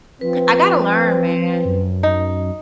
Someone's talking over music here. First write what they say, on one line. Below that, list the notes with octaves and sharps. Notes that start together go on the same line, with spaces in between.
I gotta learn, man.
F3 C4 B4
F#2
D#4